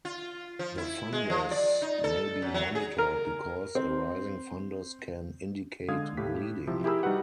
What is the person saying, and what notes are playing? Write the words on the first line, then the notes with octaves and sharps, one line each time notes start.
The fundus may be monitored because a rising fundus can indicate bleeding.
F4
F3
E4
G#3
F3
D5
D#4
A4
F#2
F#3
G#4
A#4
C4
D3 G#3 F5 D#6 G#6
A2 G4 B6
C3 F3 E4
E4 G4 G#4 A#4 B5 E6
G3 D#4 F#4 G4 B4 F#5